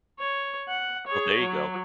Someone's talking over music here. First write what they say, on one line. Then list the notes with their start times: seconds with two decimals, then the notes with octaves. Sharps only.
Oh, there you go.
0.20 C#5
0.68 F#5
1.07 G#4 C#5
1.40 F#3